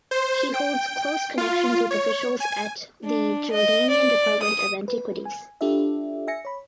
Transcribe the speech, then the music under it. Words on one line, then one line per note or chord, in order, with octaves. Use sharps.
He holds close connections with officials at the Jordanian Department of Antiquities.
C5
G5
F4
C#5
G#5
D4
D#5
D5
D#6
B4
G#5
D4 F4 G4 A4 D5 E5
E5 G#5 A#6 C#7
C#5 B5